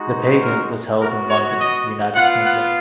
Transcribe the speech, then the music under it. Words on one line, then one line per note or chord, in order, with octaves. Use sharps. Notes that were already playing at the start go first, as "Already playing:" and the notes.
The pageant was held in London, United Kingdom.
Already playing: G#3 D#4 F#4
A#4
B3 F#4 A#4
C#5
D#5
B3 F4 F#5
F#5